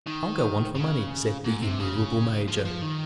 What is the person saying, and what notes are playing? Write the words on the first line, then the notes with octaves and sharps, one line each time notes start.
"I'll go on for money," said the immovable major.
D#3
C#3
G#2
C3
C#3
F3
F3
D#3